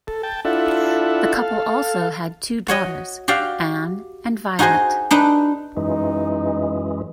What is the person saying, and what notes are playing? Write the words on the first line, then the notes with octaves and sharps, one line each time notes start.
The couple also had two daughters, Anne and Violet.
A4
G5 A5
D4 E4 F4 A4 E5 F#5
A4 F5
F#4 C#5 D#5
F#4 G4 D5 F5
D#4 F#4 G#4 C5 D#5
D4 D#4 B4
F#2 E3 G#3 D#4